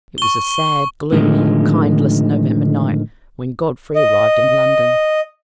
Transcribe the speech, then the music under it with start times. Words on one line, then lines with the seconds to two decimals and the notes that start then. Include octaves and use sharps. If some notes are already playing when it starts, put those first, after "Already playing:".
It was a sad, gloomy, kindless November night, when Godfrey arrived in London.
0.18 C#6 G7
1.12 A2 D3 D#3 F3 G#3
3.96 D#5